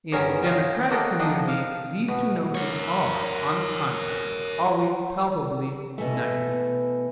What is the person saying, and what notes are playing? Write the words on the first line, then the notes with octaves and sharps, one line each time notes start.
In democratic communities these two notions are, on the contrary, always palpably united.
E2 G2 C#4 A#4 G#5 D#6
C5 C#5 D#5 F5 G5 G#5
A#3 F#4 G4 A4 D#5 G5
F3 D4 D#4 C5 D#5
F5
B2
A#4 C#5
B2 E3 A3